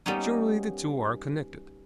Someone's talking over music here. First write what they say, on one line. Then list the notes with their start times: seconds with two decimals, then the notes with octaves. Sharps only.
Surely the two are connected.
0.06 G3 A#3 B3 C#4 D#4